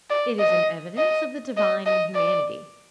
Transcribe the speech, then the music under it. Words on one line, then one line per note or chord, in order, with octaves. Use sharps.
It is an evidence of the divine in humanity.
D5
D#5
D#5
D#5
D#5
D5